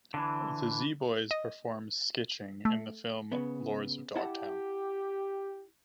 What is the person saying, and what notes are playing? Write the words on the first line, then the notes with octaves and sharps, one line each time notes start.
The Z Boys perform skitching in the film "Lords of Dogtown".
D3 E3
D#5
A3
C#3 B3
E4 G4 F#5 A5